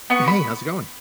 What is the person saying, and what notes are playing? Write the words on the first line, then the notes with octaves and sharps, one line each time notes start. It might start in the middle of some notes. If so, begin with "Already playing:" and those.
Hey. How's it going?
B3 C#6
B5